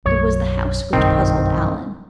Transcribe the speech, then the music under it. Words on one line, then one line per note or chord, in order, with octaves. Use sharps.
It was the house which puzzled Alan.
B1 F#2 F#3 C#5
F#1 B1 G2 D#3 C4